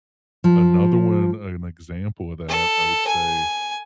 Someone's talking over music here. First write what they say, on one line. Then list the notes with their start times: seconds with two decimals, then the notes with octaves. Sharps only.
another one, an example of that, I would say,
0.44 F3
2.48 A4
3.07 G#5